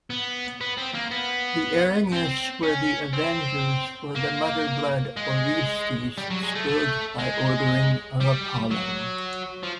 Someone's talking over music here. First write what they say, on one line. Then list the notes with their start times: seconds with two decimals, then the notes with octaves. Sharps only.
The Erinyes were the avengers for the mother-blood Orestes spilled by ordering of Apollo.
0.10 B3
0.61 B3
0.78 C4
0.95 A#3
1.11 B3
2.12 C4
2.63 C#4
3.13 C4
4.15 A#3
5.16 G#3
6.18 G3
6.30 F#3
6.43 G#3
6.55 A3
6.68 A3
7.19 G#3
8.20 G3
8.71 F#3
9.63 F3